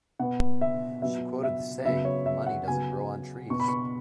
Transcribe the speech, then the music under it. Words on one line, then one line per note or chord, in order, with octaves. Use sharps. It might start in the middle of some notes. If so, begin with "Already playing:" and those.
She quoted the saying: money doesn't grow on trees.
B2 B3 F#5
E5
B2 F#3 B3 E5
E5
C#3 F#3 B3 E5
C#5
E5
F#5
C#3 F#3 B3 G#5
B2 B3 C#6
B5
C#6